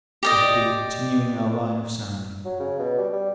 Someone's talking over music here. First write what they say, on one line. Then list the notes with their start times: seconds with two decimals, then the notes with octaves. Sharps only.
We have been continuing our line of soundings.
0.23 G4 D5 D#5
2.45 F#3
2.60 C#3
2.79 B2
2.98 G3
3.13 G3